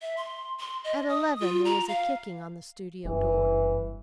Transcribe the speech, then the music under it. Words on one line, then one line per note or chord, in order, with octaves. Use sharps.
At eleven there was a kicking on the studio door.
E5
C6
C6
D#5
D#6
F4
A#5
F5
F#1 G2 E3